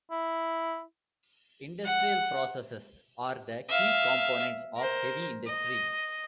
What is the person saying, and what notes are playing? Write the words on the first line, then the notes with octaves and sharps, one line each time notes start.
Industrial processes are the key components of heavy industry.
E4
F#5
E5 F5
A#4 C5
D#5